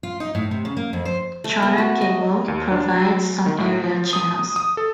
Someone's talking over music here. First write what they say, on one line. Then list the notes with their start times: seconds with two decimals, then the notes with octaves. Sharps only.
Charter Cable provides some area channels.
0.03 F4
0.20 D#4
0.35 A2
0.51 C3
0.65 C#3
0.77 A#3
0.93 F2
1.05 C5
1.44 A3
1.63 B3
1.78 F#4
2.01 D#5
2.48 D#2
2.72 D4
2.96 F#3
3.46 D#3
3.58 A2
3.84 F3
4.13 D#6
4.56 D#6
4.77 A4